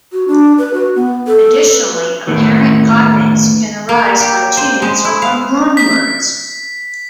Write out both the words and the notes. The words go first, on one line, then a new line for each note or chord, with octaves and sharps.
Additionally, apparent cognates can arise by chance or from loan words.
F#4
D4
B4
F#4
B3
A4
B4
E2 A2 D#3 E3
A#3
G4
C5
G#3
E4
F5
B6